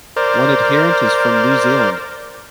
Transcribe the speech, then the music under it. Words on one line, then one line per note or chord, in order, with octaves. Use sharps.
One adherent is from New Zealand.
A#4 C5 D5